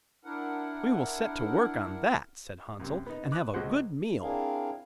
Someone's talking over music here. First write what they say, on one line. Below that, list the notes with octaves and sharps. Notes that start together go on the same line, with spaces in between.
'We will set to work on that,' said Hansel, 'and have a good meal.
D4 E4 A#4 F#5
F#2 C3
B3 D#4
D6 D#6 F#6
C#2 G#3 F#4 C5 F#5
C4 D4 E4 G#4 A#4 F5